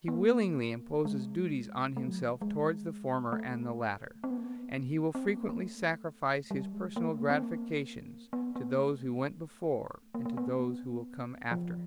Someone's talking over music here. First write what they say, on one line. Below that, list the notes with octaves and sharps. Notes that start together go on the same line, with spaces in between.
He willingly imposes duties on himself towards the former and the latter; and he will frequently sacrifice his personal gratifications to those who went before and to those who will come after him.
B3
A#3
G#3
A3
F#3
F3
G#3
A3
C4
B3
A#3
B3
C4
B3
A#3
A#3
A3
G3
G#3
A#3
A3
A#3
C4
A#3
B3
B3
A3
A#3
A#3
B3
C4
B3
F3